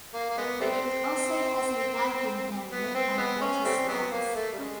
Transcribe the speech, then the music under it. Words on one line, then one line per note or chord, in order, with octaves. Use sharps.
It also has a diving area and water slides.
A#3
A#3
G#3 B3
G3 A3 C4
B3
C4
G#3 B3
C#4
G3 A3 C4
G#3 B3
A#3
A3
G3
C#3 G#3